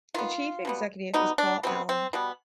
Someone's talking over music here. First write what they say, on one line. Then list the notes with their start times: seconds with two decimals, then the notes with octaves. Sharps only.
The Chief Executive is Paul Allen.
0.14 D#3 B3 F4
0.65 B2 G3 B3
1.14 B2 G3 B3 D#4
1.38 D4
1.63 B2 G3 B3 C4
1.89 C4
2.13 B2 G3 B3